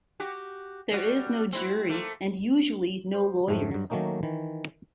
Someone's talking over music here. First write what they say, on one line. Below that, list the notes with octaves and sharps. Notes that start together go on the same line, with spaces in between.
There is no jury and usually no lawyers.
F#4 G4
G3 F#4
C4 E4 F#4
A3 A#3
C5
F2 G#2 F#3 A3 C4
G2 F#3
D#3 F#3 A3 A#3 C#4 D#4
D#3 E3